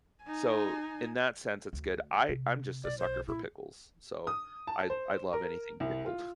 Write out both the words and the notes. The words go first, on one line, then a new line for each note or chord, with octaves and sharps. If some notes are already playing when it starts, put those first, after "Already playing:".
So in that sense, it's good. I I'm just a sucker for pickles. So I I love anything pickled.
D#4 G#5
D2
C3
B1 D5
C5
A#2 E4
D#6
A5
C5
A#4
C2
F4